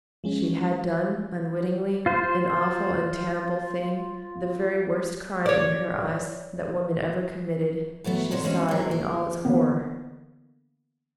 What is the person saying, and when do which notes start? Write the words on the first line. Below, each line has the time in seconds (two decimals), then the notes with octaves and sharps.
She had done--unwittingly--an awful and terrible thing--the very worst crime, in her eyes, that woman ever committed--she saw it in all its horror.
0.24 F3 G#3 C#4
2.06 F4 C5
5.46 C#5 D5
8.04 E3 F#3 A3 B3
8.31 A#2 G#3 C4 F#4 C#5 F#5
8.43 E3 F#3 G#3 C4 C#4
8.68 F#3 G#3
8.91 A#3
9.45 D3 E3 A#3 B3